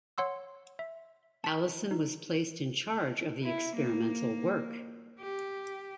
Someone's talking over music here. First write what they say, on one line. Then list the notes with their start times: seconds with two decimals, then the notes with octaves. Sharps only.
Allison was placed in charge of the experimental work.
0.18 C#5 F#5 C6 E6
0.79 E5
1.44 A5 B6
1.91 D#4
3.43 E4
3.76 A#3
5.20 G4